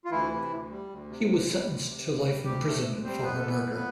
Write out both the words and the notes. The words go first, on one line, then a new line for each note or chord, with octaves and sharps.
He was sentenced to life imprisonment for her murder.
F4
D2 E3 E4
C3
D2
G3
D2
C3
D2
G3
D2
C3
D2
G3
D2 G3 G4
C3 A3 A4
D2
G3 C4 C5
F2 B3 B4
A4
E3
B3 B4
F2
B3 B4